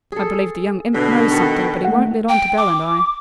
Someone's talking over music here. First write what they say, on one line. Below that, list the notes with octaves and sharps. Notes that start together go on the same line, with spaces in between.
I believe the young imp knows something, but he won't let on to Bell and I.'
G#4 A4
B2 D3
D#3 B3 A4
A3 F#5
G5
D6